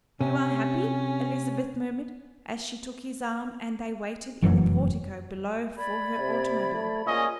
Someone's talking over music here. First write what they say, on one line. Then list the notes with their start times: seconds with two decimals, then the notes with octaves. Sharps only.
"You are happy?" Elizabeth murmured, as she took his arm and they waited in the portico below for her automobile.
0.21 C3 C#4
4.42 F1 F#2 E3 F#3
5.76 D5 B5 G#6
6.19 C3
6.74 A3
7.06 A#2 C#4 G#4 D#5